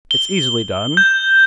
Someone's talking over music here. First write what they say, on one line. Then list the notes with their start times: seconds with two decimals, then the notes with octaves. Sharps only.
It's easily done.
0.11 G7
0.97 G6